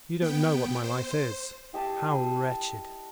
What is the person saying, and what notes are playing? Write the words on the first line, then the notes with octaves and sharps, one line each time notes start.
You don't know what my life is,--how wretched.
B3 G5
C5
E4 G4 D#5 A5